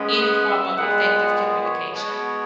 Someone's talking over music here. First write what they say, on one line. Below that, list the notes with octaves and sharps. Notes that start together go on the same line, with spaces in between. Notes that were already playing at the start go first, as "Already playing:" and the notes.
any form of effective communication.
Already playing: C#3 G#3 B3
F#5
E5
A#2 G#3 B3 F#5
C#5
B2 G#3 B3 C#5